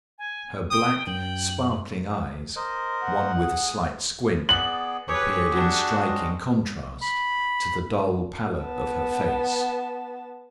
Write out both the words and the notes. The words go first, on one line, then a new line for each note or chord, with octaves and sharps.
Her black, sparkling eyes, one with a slight squint, appeared in striking contrast to the dull pallor of her face.
G#5
G5 D#6
F#2 G5 F#7
A#4 C5 D#5
F#5
G#4
B3 G#4 D5 F#7
G4 G#4 B4 C#5 C#6
D4 F#4
C4 C#4 D#5
B5
B3 A5